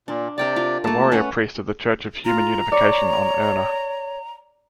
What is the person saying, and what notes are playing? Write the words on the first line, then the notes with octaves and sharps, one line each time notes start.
A Warrior Priest of the Church of Human Unification on Erna.
A#2 D4
C3 A#4 D5 G5 A5
F4
A3 A#3 A5
C#4 B4 F#5
F4 A#5
C#5 D5 C#6 C#7